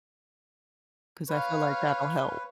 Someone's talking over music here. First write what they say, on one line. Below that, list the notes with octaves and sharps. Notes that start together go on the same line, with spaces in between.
'Cause I feel like that'll help.
B4 C#5 F5